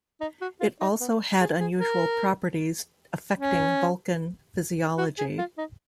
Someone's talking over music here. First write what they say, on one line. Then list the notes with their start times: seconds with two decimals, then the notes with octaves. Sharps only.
It also had unusual properties affecting Vulcan physiology.
0.21 D#4
0.41 F#4
0.60 F4
0.81 D#4
1.00 B3
1.40 G#4
1.60 G#4
1.80 A#4
3.39 C#4
4.98 F#4
5.18 G#4
5.38 F4
5.58 D#4